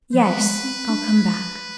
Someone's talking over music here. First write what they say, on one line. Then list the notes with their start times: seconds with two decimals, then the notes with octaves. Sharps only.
"Yes--I'll come back."
0.13 F3 B4
0.39 G#3
0.64 C4
0.89 D4